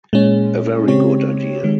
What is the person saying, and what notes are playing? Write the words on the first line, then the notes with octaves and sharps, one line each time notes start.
A very good idea!
A#2 G#3 C#4
C#3 G#3 C4 G4 C#5
D#3 G#3